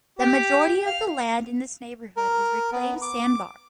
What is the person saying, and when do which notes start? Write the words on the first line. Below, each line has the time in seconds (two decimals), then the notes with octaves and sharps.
The majority of the land in this neighborhood is reclaimed sandbar.
0.19 G4
0.86 F5
2.17 A#4
2.72 B3
3.02 D6